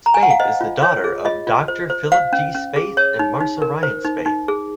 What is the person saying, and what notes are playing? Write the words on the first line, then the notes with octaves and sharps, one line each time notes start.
Spaeth is the daughter of Doctor Philip G. Spaeth and Marcia Ryan Spaeth.
A#5
G#5
F#5
F5
C5 D#5
F4
F4 C#5
G#4
F4 D#5
F4
C5
C5
C5 F5
C#4
C#4
G#4
C#5
D#4
D#4
A#4
C5
D#4
D#4
G#4